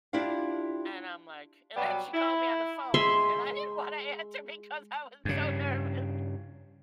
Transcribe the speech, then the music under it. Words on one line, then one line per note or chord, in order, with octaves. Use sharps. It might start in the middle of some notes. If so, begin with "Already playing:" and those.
and I'm, like And then she called me on the phone, and I didn't wanna answer because I was so nervous.
D4 E4 F4 G4 F5
B2 F#3 G3 B3
E4
G#3 E5 C6
G2 C#3